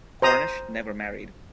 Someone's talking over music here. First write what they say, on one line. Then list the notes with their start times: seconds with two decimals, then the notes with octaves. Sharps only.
Cornish never married.
0.22 C5 A#5 D#6